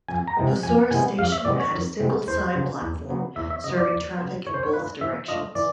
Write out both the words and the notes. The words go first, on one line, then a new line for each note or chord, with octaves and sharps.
Hosoura Station had a single side platform serving traffic in both directions.
F2 G#5
A#5
C3 E3 G#3 B3
F2 G#5
C3 E3 G#3 B3 G#5
F2 F5
E5
C3 E3 G#3 B3 D5
C#5
F2
C3 E3 G#3 B3
E2 C5
C#3 F#3 B3
E2
C#3 F#3 B3
E2 E5
E5
C#3 F#3 B3 D#5
D5
E2
C#3 F#3 B3
E3 C#5
C5
C#5
A3 D4 F4 B4
E3 E5
A3 D4 F4 D#5
E3 D5